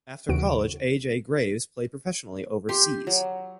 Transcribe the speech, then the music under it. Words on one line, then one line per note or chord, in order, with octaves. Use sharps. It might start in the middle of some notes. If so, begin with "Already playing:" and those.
After college A. J. Graves played professionally overseas.
D#2 C#3 E3 F#4 D7
G4 C6
F#3